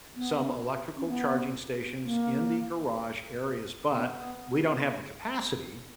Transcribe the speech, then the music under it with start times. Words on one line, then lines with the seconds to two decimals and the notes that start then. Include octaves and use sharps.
some electrical charging stations in the garage areas, but we don't have the capacity
0.15 B3
0.97 C#4
1.08 B3
2.03 A#3
3.91 B3